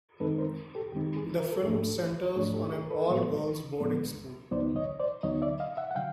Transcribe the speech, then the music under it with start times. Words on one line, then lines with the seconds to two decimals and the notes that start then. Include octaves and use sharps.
The film centers on an all-girls boarding school.
0.20 F#2 D#3 G#3 C4 D#4 A4 B4
0.38 A#4 C5
0.75 G4 A4
0.92 F#2 D#3 G#3 C4 D#4 G4
1.16 G#4
1.40 A#4
1.52 A4
1.63 G#2 F3 A3 D4 G#4
1.74 G4 A4
2.36 G#2 F3 A3 D4 G#4
2.54 G4 A4
2.72 G#4 A#4
2.90 A4 B4
3.08 A2 F3 G#3 B3
3.80 A2 F3 G#3 B3
4.51 D2 D3 F#3 B3 D#4 C5 D5
4.76 C#5 D#5
5.00 C5 D5
5.23 D2 D3 F#3 B3 D#4 C#5 D#5
5.42 D5 E5
5.60 D#5 F5
5.77 E5 F#5
5.91 F#5
5.95 D3 F#3 F5 G5